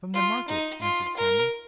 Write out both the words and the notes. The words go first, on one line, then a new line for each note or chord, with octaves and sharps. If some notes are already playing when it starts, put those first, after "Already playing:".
'From the market,' answered Simon.
F4
D#4
F4
A#4